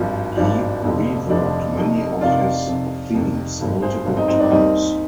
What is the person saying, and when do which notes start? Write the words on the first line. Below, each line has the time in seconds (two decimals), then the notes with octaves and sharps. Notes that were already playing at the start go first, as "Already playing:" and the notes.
He reworked many of his themes multiple times.
Already playing: G#1 G2 F3
0.37 G#1 G2 F3 D4
0.83 F1 F2 D3 F3
1.28 F1 F2 D3 F3 D4
1.75 F1 F2 C3 D#3
2.21 F1 F2 C3 D#3 D4 F4
2.67 F2 C3 D#3
3.13 F2 C3 D#3
3.59 G#1 G2 D3
3.82 G#4 C5
4.05 G#1 G2 D3
4.16 C4 D#4
4.28 C4 D#4
4.40 D4
4.51 D#2 D#3 G3 C4 D#4